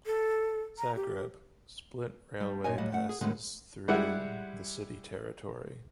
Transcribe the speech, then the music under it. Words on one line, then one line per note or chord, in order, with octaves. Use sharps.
Zagreb - Split railway passes through the city territory.
A4
A#5
G4
G3
A#2 D#4 C#5 D#5 G#5
A2 F#3 G3 D#5 F5
A3 F#5
G#4
F#2 A2 D3 D#3 G#3 B3
G3 G#3 E4 F#5